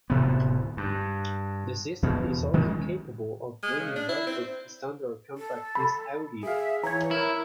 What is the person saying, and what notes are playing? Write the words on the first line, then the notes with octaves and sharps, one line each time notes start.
The system is also capable of reading Redbook standard compact disc audio.
D1 C3 B3
G2
E2 B2
D#3 G#3 B3 C#4
G#3
C#3
D4
E4
C4
A4
B5
G#4 E5 F5
E3 C#5 A#5 G#6
E4 A#4